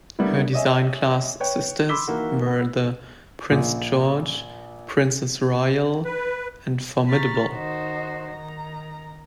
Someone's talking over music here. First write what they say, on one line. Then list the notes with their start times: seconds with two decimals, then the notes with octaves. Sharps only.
Her design class sisters were the "Prince George", "Princess Royal", and "Formidable".
0.19 D3 G3 A#3 B3 E4
0.53 C#5 D#5 E5 G#5
1.40 B4 C#5 G5
1.89 B5 C6 D6 E6 B6 G7
2.07 D#3 E3 A#3 F#4
2.46 B3
3.51 A#1
6.05 B4
7.09 A#5 B5 C#6 F6 A6
7.51 D#3 D#4 F#4 C5
8.31 D#3 A#5